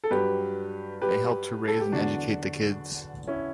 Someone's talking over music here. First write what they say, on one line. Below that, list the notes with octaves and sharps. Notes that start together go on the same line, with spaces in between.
They helped to raise and educate the kids.
A4
G2 F#3 G4 B4
G4 B4
A4
G4
E2 D3 F#3 D4 F#4
C#4 E4